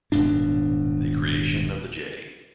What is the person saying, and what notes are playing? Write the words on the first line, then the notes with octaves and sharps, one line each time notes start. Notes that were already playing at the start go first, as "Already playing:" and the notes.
The creation of the J.
D#1 G#2 B2 D4